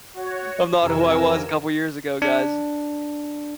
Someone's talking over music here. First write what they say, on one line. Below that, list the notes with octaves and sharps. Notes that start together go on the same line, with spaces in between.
"I'm not who I was a couple years ago, guys."
F#4 C#5
F2 C3 E3 A#4 G#5 E6
D4